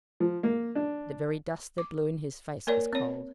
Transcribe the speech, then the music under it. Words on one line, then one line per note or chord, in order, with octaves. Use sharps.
The very dust that blow in his face was cold.
F3
A#3
D4
D6
A#3 A#4 C#5 D5
C4 C#5